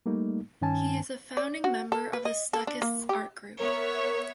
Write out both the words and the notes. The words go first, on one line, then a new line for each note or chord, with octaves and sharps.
He is a founding member of the Stuckists art group.
G3 A3 A#3 D#4
G2 D#3 C#4 G#5 A5
D5
F#4
A4
B4
D#5
A4
D4
A#3
G4
B3 A#4 C#5 E5